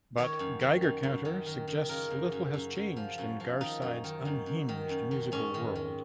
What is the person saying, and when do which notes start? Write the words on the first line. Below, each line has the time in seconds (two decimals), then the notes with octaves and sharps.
But "Geiger Counter" suggests little has changed in Garside’s unhinged musical world.
0.18 D#3 C#5
0.39 F#2
0.61 D#3
0.82 F#2
1.03 F#2
1.25 D#3
1.46 D#3
1.68 D#3
1.89 C#3 A#4
2.10 F#2
2.32 F#2
2.54 F#2
2.75 F#2
2.97 F3
3.18 F#2
3.40 F3
3.61 D#3 D#4
3.82 F#2
4.04 D#3
4.25 F#2
4.46 F#2
4.69 D#3
4.89 F#2
5.11 D#3
5.32 G#2 C#4
5.54 D#3
5.75 D#3